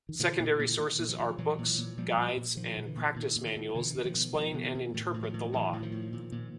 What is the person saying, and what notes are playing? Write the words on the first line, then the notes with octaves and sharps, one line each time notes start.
Secondary sources are books, guides, and practice manuals that explain and interpret the law.
D#3
A#2 D3 E3
A#2
A#2
D3
A#2 D#3
A#2
D#3 F3
A#2
A#2 E3 F#3
A#2
A#2
A#2 F3 G3
A#2
A#2
A#2 D#3 F3
A#2
D3 E3
A#2
A#2 D#3
A#2
D#3
A#2
F3
B2 D3 E3
B2
D#3 F3
B2
B2 D#3 F3
B2 D3
D#3
B2
A2 D#3
A2
D#3 F3
A2
A2 E3 F#3
A2
D#3 F3
A2
A#2
A#2